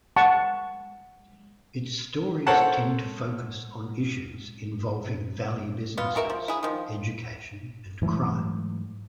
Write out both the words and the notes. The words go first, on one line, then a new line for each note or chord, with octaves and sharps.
Its stories tend to focus on issues involving valley businesses, education, and crime.
F#5 A5 C#6
A4 A#4 C5 C#5 F#5 A5
F#3 B3 F4
G#3 F#4 A#4 E5
F3
E4 G#4
D#3 F3
G#2 E3 F#3 A3